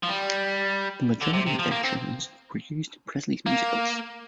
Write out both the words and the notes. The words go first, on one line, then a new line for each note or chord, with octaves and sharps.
The majority of their tunes were used in Presley's musicals.
F3
G3
D3
C3
C3
F3
A#3
C4
A#3